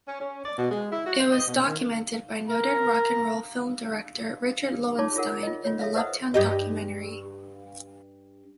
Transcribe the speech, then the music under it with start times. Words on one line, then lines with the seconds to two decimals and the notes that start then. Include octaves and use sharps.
It was documented by noted rock'n'roll film director Richard Lowenstein in the "LoveTown" documentary.
0.07 C#4
0.19 C#4
0.45 D5
0.58 B2
0.71 G#3
0.92 E4
1.06 F#4
1.19 C5
1.32 D#5
1.47 B2
1.67 D#3
2.50 A#4 A#5
4.99 D#4 F4 C#5 A5 D6
5.16 F4 G#4 A#4 F#5
5.43 F4 D#5
5.64 F4 C#5
5.79 A4 E5 F5
5.95 B4 C5 D#5 F#5 D#6
6.34 G2 G4 D#5